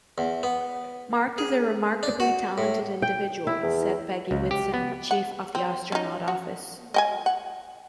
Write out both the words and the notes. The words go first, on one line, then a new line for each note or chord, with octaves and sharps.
"Mark is a remarkably talented individual," said Peggy Whitson, Chief of the Astronaut Office.
E2
B3
G#4
D4
F#4
A2
G5
E4
E2
C#2
G4
B3
F#5
C4
C#4 D#4
F#4
D#5 G5 G#5
F#5